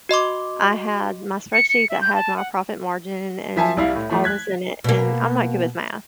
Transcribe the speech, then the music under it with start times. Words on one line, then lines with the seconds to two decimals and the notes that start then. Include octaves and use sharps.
I had my spreadsheet that had my profit margin and all this in it, and I'm not good with math,
0.09 F#4 D#5 C6 D6
1.53 C#7
1.69 C#7
1.89 E5
2.01 G6
2.14 A5
2.37 F#5
3.56 F3 E5 G#5 A5
3.77 C2 G3 E4 F5
3.95 A2
4.10 F3 A3
4.24 F#6 G#6 B6
4.84 B2 A#3